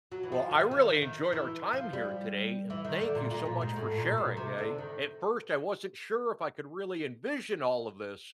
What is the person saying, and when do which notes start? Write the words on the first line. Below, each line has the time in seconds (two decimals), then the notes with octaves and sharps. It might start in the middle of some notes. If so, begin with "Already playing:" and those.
Well, I really enjoyed our time here today and thank you so much for sharing. I at first, I wasn't sure if I could really envision all of this,
0.12 F#3
0.23 E3
0.32 F3
0.51 D#3
0.71 D#3
1.02 D#3
1.33 E3
1.73 F3
1.93 G3
2.70 E3
2.85 D#3
3.01 D3
3.15 A#2
3.31 A#2
3.45 A#2
3.61 G#2
3.76 A2
3.97 A#2
4.17 B2
4.37 C3
4.58 D3
4.78 D#3